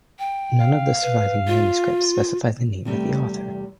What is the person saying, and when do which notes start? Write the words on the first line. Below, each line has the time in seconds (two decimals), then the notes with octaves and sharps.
None of the surviving manuscripts specify the name of the author.
0.19 G5
0.60 F5
1.02 B4
1.47 F4
2.85 E2 C3 G3 A3